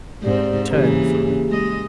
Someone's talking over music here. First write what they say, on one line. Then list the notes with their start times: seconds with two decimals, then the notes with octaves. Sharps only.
She turned from me.
0.23 G#2 C4 G4 D5
0.71 C#3 E3 A#3 G4 G#4
1.49 G#3 D#5